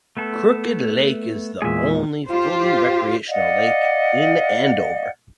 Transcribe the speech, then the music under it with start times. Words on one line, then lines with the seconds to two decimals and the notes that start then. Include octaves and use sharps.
Crooked Lake is the only fully recreational lake in Andover.
0.17 A3 B3 A4
1.62 E2 A#2 G#3 G#4 E5
2.27 F4 G4 C5
3.28 D5 D#5 F5 F#5